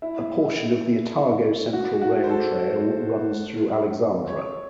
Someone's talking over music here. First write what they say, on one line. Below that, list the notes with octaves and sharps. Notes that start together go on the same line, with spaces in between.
A portion of the Otago Central Rail Trail runs through Alexandra.
E4
F#4
F#4
C5
A4
C#5